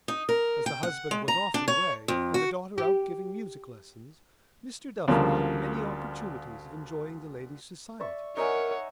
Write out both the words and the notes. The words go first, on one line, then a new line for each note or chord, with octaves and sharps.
As the husband was often away and the daughter out giving music lessons Mr. Duffy had many opportunities of enjoying the lady's society.
D#4
A#4
G5
F#5
G#3
A#5
D4
C#5
F2
F#4
G4
D2 C#3 F3 G3 A#3
D5 E5 C#6
D#4 A#4 C#5 E5 F#5 G#5